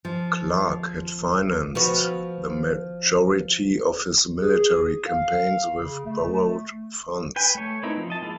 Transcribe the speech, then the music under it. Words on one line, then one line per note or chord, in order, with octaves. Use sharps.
Clark had financed the majority of his military campaigns with borrowed funds.
F3
F3 B3 F#4
G#4
F5
C#3
A3
B4 G5 G#5
A3 C#5
B3 C4 D#4 E4 A#4
F3
D#5 A5
F3 G#3 A#3 E4